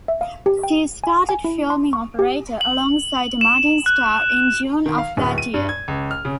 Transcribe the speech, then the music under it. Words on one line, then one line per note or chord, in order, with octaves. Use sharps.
She started filming "Operator" alongside Martin Starr in June of that year.
E5
F5
G4
G5
G#5
G#5
E4
C6
C#6
G4
F#7
E7
F#6
D#3
F5
D1
D#7
G2
G#6
C#2
F6
C#3